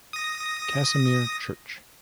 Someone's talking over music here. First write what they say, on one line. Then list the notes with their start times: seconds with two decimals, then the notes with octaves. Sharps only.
Casimir Church.
0.13 D#6 A#6